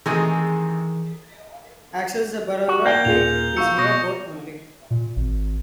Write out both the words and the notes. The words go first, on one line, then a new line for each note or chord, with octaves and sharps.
Access to Berowra Creek is via boat only.
C3 D#3 E3 G#3 A3 G#4 G#5
F#4
A#3 D5 G5 G6 G7
D#1 F4 G#4 F7
F5 C#6 E6 G6 C#7
B2 A#6 C#7
A#2
G#1